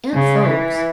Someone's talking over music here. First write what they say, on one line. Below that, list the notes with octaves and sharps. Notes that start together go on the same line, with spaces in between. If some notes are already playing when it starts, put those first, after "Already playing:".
And folks.
C#3
E3